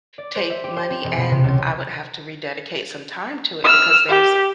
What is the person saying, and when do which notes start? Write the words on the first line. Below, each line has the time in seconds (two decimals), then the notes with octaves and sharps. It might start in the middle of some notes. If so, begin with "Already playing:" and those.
take money, and I would have to rededicate some time to it, because there's
0.18 D5
0.35 C5
0.50 E5
0.64 G4
0.76 C5
0.90 C4
1.04 E1
1.17 B2
1.31 C3
1.44 C#2
3.64 E6 F6
4.09 G4